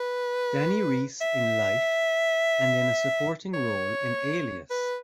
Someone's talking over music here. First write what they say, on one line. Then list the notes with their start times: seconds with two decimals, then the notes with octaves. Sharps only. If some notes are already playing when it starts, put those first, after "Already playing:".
Dani Reese in "Life", and in a supporting role in "Alias".
Already playing: B4
1.21 E5
3.53 C#5
4.70 B4